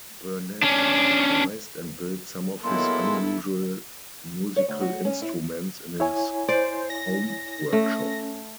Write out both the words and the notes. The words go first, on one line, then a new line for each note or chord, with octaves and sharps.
Burnette devised and built some of his unusual musical instruments in his home workshop.
C#4 D4
F#3 G#3 A#3 B3 E4 A4 C6
C#5
D2
F#4
C#4
E4
E4 C#5 G#5
C5 D5
A#6
A3 C#4